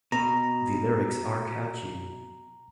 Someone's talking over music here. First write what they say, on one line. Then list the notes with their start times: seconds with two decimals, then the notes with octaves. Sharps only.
The lyrics are catchy.
0.12 B2 A#5